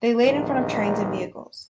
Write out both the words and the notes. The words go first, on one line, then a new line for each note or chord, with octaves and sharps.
They laid in front of trains and vehicles.
A#1 E2 G2 A#2 D#3 D#4